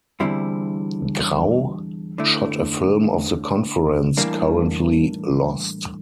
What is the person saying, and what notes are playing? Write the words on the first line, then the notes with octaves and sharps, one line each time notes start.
Grau shot a film of the conference, currently lost.
E2 D3 G3 C4 E4
D3 A3 E4
A2 E3 G3 A#3 D4